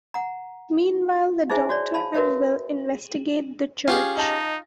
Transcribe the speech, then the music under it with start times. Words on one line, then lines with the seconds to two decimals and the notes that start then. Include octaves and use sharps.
Meanwhile, the Doctor and Will investigate the church.
0.14 F#5 A#5
1.50 D#4 E4 G#4 C5 E5 G#5
1.69 F#4 C#5 D5
1.94 F5 A5 B5
2.14 F#4 A#4 B4 C#5 E5
3.88 C#4 F4 G4 G#4
4.17 D#4 D#5 A5 A#6